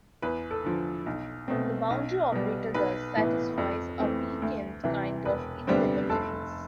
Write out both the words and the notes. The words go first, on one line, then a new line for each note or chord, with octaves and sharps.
The boundary operator thus satisfies a weakened kind of idempotence.
E2 B4
A4
D3 F3
B1
B2 A3 C4
B1
B2 G3
B1 B4
A2 E3 B3
F2
E3 A3 C4
D2
C3 E3
E1 B4
D2 D3 G3 B3 C4 C5
F1 A4 A5